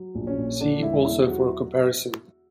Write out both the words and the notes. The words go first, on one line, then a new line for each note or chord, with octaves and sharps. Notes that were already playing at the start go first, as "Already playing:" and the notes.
See also for a comparison.
Already playing: F#3
A#1
C#4
A#2
D3 D4
E1 E4
E2 E4
F#3 F#4